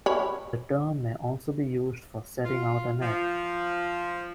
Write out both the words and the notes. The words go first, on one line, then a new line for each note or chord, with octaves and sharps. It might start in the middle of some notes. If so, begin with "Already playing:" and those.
The term may also be used for setting out a net.
C#5 B5
F4
F3